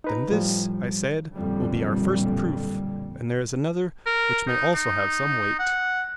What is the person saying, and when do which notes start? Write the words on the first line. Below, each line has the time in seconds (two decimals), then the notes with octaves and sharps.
Then this, I said, will be our first proof; and there is another, which may also have some weight.
0.04 D#4 B4 A#5
0.31 A2 F3 G3
1.35 B1 F2 A#2 D3 G3
4.06 A#4
4.48 D#4
4.74 D#4
5.59 F#5